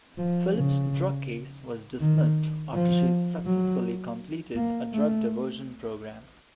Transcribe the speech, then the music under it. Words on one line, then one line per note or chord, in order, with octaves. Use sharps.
Phillips' drug case was dismissed after she successfully completed a drug diversion program.
F3
C#3
D#3
F3
F#3
A#3
A3